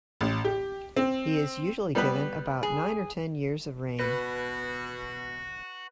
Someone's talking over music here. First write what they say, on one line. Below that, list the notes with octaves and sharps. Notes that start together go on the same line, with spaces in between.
He is usually given about nine or ten years of reign.
A1
G4
C4
G3 B3 B4
G#4
B2 F#4 B4